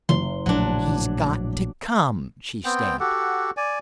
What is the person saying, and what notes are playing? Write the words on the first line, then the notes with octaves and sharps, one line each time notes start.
"He's got to come." She stamped.
F#1 C6
A#1 A2 F#3 D4
B3 C4 G5
F#4 G4 A4 F#5
D5 G#5